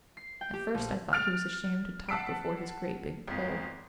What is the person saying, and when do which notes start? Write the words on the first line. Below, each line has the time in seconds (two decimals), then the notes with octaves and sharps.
At first I thought he was ashamed to talk before his great big Pole.
0.17 C7
0.41 G5
0.53 G4
0.74 A#1
1.13 F6 F#6 A6 D7 F7
2.09 F#5 A5 E6 B6 C7 D7
3.28 G#1 F2